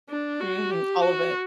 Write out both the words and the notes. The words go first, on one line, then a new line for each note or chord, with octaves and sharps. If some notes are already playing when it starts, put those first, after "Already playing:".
mhm, all of it.
D4
F#4
G4
F#4